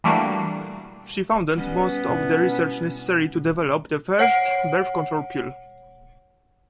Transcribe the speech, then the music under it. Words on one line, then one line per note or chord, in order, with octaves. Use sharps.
She funded most of the research necessary to develop the first birth control pill.
E3 G3 A3 A#3 D4 F#4
G3 B3 C#4
B2 D4 E4
C#5 F#5 C7 D7